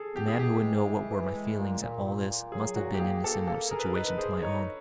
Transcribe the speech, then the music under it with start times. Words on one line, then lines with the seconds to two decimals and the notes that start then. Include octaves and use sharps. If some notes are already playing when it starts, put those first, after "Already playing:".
The man who would know what were my feelings at all this must have been in a similar situation to my own.
Already playing: G#4 A4
0.15 B3 G4
0.28 G#4
0.38 E3 G4
0.63 G#3
0.86 E3
1.10 E3
1.34 G#3
1.58 A#2
1.81 A#2
2.05 A#2
2.28 A#2
2.52 F#3 G#4
2.76 A#2 F#4
2.94 G4
3.00 A#3 G#4
3.24 A#3 A4
3.47 A#3 A4
3.71 G#4 A#4
3.79 B4
3.86 A#4
3.95 D#4 B4
4.08 B4
4.18 G#4 C5
4.42 D#4 C#5